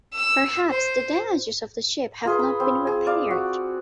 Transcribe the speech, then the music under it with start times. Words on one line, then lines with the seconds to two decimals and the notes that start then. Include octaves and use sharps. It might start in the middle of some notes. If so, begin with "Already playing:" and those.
Perhaps the damages of the ship have not been repaired.
0.13 E6
0.69 C5
2.25 F4 G#4 B4
2.39 B5
2.60 C4
2.87 G#4
3.07 D5 F5
3.31 F#4